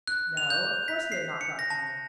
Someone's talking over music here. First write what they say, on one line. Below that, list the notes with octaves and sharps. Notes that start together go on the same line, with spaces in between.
No, of course he had not got home.
F#6
F7
G6
B6
C7
C#7
A#6
A5